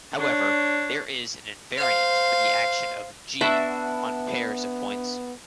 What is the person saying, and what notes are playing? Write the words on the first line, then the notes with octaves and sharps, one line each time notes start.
However, there is an invariant for the action of "G" on "pairs" of points.
D4 C#5
C5 F5
B3 D4 E4 F#4 E5